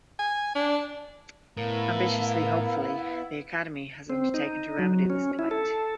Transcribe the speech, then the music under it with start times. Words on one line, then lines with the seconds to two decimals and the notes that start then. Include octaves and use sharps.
Ambitiously, hopefully, the Academy has undertaken to remedy this plight.
0.19 G#5
0.55 D4
1.57 A2 B3 E4 A#4 F5
4.10 C4
4.34 D#4
4.79 F#3
5.10 C#4
5.39 E4
5.51 A4